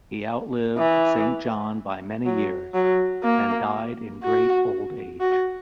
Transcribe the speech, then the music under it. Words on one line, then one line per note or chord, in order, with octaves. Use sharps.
He outlived Saint John by many years and died in great old age.
E3
F#3
F#3
A#3
F#4
F#4